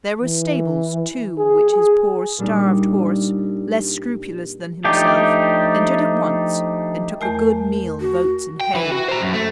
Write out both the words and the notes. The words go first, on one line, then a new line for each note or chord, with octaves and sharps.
There were stables too, which his poor, starved horse, less scrupulous than himself, entered at once, and took a good meal of oats and hay.
E3
G#4
G#4
A#2 G3 D4 D#4
F3 A3 D4 D#4 G4
E2 A3 A#4 G#5
F#4
G5
E4 B4
F#4
C5 A#5
F#2
A3